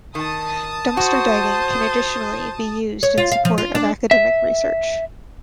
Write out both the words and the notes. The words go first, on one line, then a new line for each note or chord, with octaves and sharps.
Dumpster diving can additionally be used in support of academic research.
D#3 A5 D#6
F#4 C5
C#5
F4
F5
F3
F4
D4
E5